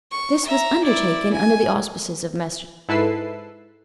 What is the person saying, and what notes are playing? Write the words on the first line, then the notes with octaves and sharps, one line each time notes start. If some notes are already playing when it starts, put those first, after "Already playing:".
This was undertaken under the auspices of Messrs.
C#6
E5 A#5
E4 D5
G#5
G#2 E4 A4 B4 E6 C7